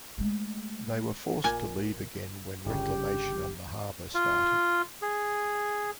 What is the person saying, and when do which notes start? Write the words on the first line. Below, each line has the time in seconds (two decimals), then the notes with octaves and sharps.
They were forced to leave again when reclamation on the harbour started.
0.18 G#3 A3
1.44 A#1 A#2 G#5
2.65 G1 C#3 G4
4.14 F4
5.02 G#4